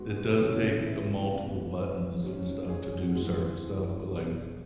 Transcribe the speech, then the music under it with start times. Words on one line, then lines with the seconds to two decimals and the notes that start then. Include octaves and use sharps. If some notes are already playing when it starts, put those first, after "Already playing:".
it does take a multiple buttons and stuff to do certain stuff, but, like,
Already playing: G#2 G#3 B3 F#4
0.09 G#4
0.25 F#4 B4
0.39 E2 B2 G#3 C#4 G#4 C#5
0.86 B4 E5
1.31 G#2 G#3 B3
1.77 B4 E5
2.23 G#2 F#3 C#4
2.69 G#4 C#5
2.84 G#4
3.00 F#4
3.15 G#2 E3 G#3 F#4
3.61 G#4
4.07 B2 B3 G#4